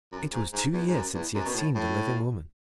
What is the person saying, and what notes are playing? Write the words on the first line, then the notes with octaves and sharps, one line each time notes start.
It was two years since he had seen the living woman.
F#2
G#2
G#2
E2
G#2
F#2
E2
F#2
B2
A2
A2